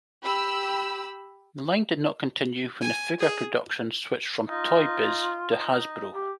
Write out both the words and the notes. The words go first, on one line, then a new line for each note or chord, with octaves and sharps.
The line did not continue when figure production switched from Toy Biz to Hasbro.
G4 B5 E6
G#5
G#4
D#4 F4
D#4
G4